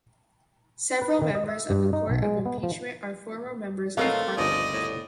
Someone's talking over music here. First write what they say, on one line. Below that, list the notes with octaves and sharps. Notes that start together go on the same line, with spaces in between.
Several members of the Court of Impeachment are former members of parliament.
B4
D#3
D#5
E5
G2
D#4
B1
G#3
B3
F3
B2 F#3 A3 C4 F4 A#4 F5
G1 D2 C#3 F3 D5 D#5
A2